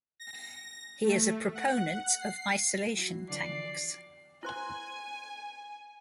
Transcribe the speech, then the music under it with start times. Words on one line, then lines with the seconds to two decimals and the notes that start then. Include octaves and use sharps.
He is a proponent of isolation tanks.
0.20 A#6
1.04 A3
1.55 F#5
2.20 C7
2.97 F#3 E4 F#4
3.30 D3 E3 F3 D5 D6 C7
4.43 E4 C5 G#5 C6